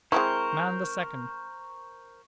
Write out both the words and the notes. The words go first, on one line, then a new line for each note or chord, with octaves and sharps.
Man the second.
G#3 C4 E4 A#4 C5 C#6